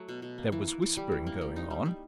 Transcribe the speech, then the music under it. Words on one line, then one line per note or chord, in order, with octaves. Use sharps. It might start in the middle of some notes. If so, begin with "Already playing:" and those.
There was whispering going on.
Already playing: F#3 A3
B2
B2
A#3
E3
E3
E3
G3
E3
A#3
G3
D#4
G3
G3